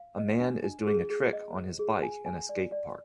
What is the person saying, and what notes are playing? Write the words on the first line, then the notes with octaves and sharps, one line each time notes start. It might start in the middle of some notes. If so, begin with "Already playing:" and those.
A man is doing a trick on his bike in a skatepark.
Already playing: F5
D#5
D4
D4
G#4
G#4
D#5
C5
G#4
G#5
G#5
D5
D5